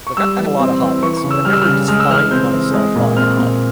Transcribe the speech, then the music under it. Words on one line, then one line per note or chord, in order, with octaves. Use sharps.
Like, I have a lot of hobbies, but I've never defined myself by the hobby.
C#6
G3 E6
E3
C4
E3
E3 C#6
C#6
C#3
E6
G3 F6
E6
F6
C#3
G#3 F6
E6
E3 F6
C4 G6
E3
G#3
A#2
C4 F6
A#2